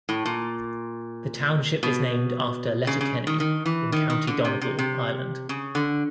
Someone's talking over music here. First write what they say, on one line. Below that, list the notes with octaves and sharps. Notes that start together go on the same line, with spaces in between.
The township is named after Letterkenny in County Donegal, Ireland.
A2
A#2
B2
C#3
C#3
D#3
D#3
E3
D#3
D#3
D3
C3
C3
C3
C#3
D3